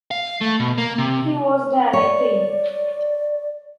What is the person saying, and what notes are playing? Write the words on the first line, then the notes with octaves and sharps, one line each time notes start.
He was then eighteen.
F5
A3
B2
A#3
C3
C#5 D5